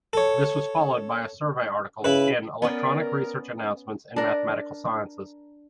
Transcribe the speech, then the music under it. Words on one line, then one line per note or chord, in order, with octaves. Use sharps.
This was followed by a survey article in Electronic Research Announcements in Mathematical Sciences.
A4 C#5
C#3 E4 B4
B3 C#4 A#4 D5
D4 A#4